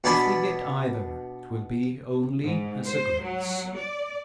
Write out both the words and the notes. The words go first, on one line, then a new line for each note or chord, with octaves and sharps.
If they get either, 'twill be only as a grace.
B2 D4 D5 G#5 B5
G#2
C5
F#3
D5